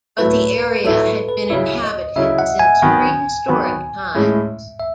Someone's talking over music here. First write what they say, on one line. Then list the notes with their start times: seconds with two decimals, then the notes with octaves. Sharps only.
But the area had been inhabited since prehistoric times.
0.18 A2 F#3 A3 E4 B4
0.84 A2 F#3 A3 E4 A4
1.29 B4
1.50 C#3 F#3 C#4 E4
1.84 D#5
2.16 C#3 F#3 C#4 E4 E5
2.39 F#5
2.59 G#5
2.82 D#3 F#3 B3
3.48 D#3 F#3 B3
4.15 A2 G#3 C#4 E4 E5
4.79 E5